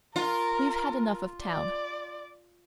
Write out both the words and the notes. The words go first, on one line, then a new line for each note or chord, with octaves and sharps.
We've had enough of town.
F4 A#4
D5